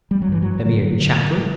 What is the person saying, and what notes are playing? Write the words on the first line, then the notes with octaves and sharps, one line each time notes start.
"A mere chattel."
G3
F#3
G2 E3
F#3
D3
D3